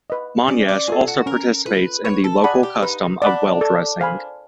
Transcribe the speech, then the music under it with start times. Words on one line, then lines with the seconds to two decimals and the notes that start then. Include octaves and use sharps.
Monyash also participates in the local custom of well dressing.
0.10 B4 D#5
0.48 C#4 D5
0.68 D5
0.87 F4 G#4 A4
1.07 F#4
1.26 C#4 A#4
1.66 F4 A4 B4
2.04 B4 C#5
2.24 A4
2.44 G#4 D5 F#5 B5
2.63 G4
2.82 D#4 B4
3.22 D4 D5 F#5 B5
3.61 A4
4.00 C5 F5 G#5 B5